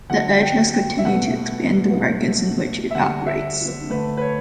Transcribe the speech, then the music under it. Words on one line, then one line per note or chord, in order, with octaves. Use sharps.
The Edge has continued to expand the markets in which it operates.
D3 F#3 A3 F#5
G5
G5
E5
B2 A3 F#5
B2 A3
E5
D3 G3 F#5
E5
D3 A3 B4
B4
C#5